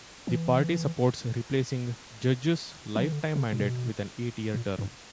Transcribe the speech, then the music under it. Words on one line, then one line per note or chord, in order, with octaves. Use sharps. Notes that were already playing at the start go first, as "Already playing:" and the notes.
The party supports replacing judges' lifetime mandate with an eight-year term.
E3
F#3
E3
D3
C#3
A#2
B2
A#2
G2